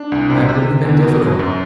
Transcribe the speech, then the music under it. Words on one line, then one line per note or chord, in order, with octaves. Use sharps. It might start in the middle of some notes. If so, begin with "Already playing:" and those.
"That would have been difficult."
Already playing: D4
C2
C3
C3
C3
E2
B2
F#3
F#2